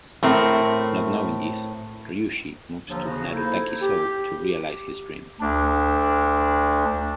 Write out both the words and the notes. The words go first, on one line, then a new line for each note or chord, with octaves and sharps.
Not knowing this, Ryushi moves to Narutaki-Sou to realize his dream.
A2 A3 C4 A#4
D#2 D3 F3 F#3 D4
C#3 F#4
A#3 D#4 E4 A4 C5
G4
D2 D4